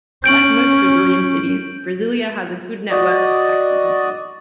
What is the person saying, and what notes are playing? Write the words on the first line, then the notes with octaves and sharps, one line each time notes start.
Like most Brazilian cities, Brasilia has a good network of taxi companies.
C#4 G6 D7 F#7
F#4 D5 D#5